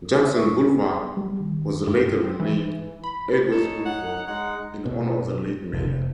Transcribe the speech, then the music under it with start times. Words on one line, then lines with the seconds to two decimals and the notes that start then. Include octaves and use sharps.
Jackson Boulevard was later renamed Edwards Boulevard in honor of the late mayor.
0.25 E5
0.39 C#6
0.58 C#4
0.74 B3
1.17 G3
1.40 D#3
1.87 G2
2.24 C4
2.40 E3
3.04 B5
3.52 D#4 A4 C#5
3.86 F#5
4.28 G#3 D#4 F#5
4.86 B2
5.73 F1